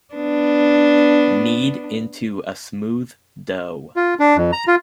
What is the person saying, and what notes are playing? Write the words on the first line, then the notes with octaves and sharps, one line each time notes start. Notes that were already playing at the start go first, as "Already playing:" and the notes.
Knead into a smooth dough.
B3 D4
F4
D4
F2
A#5
F4